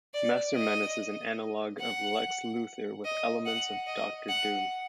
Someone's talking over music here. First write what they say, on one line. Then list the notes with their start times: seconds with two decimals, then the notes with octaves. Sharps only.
Master Menace is an analogue of Lex Luthor with elements of Doctor Doom.
0.14 D5
0.55 D#5
1.80 F#5
3.05 D#5
3.46 F#5
3.87 D#5
4.29 F#5